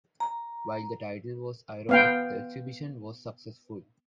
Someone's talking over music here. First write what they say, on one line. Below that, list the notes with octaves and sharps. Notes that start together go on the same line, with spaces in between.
While the title was ironic, the exhibition was successful.
A#5
B3 F5 G5